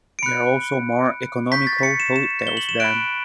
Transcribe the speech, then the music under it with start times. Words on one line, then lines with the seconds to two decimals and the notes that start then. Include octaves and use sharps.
There are also more economical hotels there.
0.19 D7
0.22 B5 F#6 C#7
1.51 C#6 G6 B6
1.67 A6
1.78 B6
1.83 C#7
2.00 E7
2.16 E7
2.47 G7
2.57 F#7
2.69 E7
2.80 B5 F#6 D7